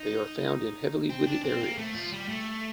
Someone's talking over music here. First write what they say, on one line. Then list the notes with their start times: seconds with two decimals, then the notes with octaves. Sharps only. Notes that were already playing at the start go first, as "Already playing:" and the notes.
They are found in heavily wooded areas.
Already playing: D#4
1.09 C4
1.26 D4
1.44 C4
1.61 A#3
1.78 A3
1.95 F3
2.12 G3
2.29 A3